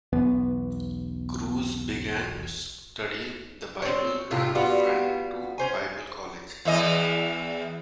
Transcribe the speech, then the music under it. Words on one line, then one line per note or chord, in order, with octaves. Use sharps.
Cruz began to study the Bible and went to Bible college.
B1 E2 B3
C4 C#5
A2 C3 F4
G3 B3 F4 F#4
C#4 C5 G#5
E2 E3 D#5